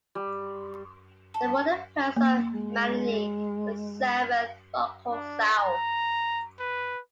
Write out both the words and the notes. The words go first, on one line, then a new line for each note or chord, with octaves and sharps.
They were the parents of Malani, the seventh "Roko Sau".
G3
A4
A#3
G#3
D4
A#5
B4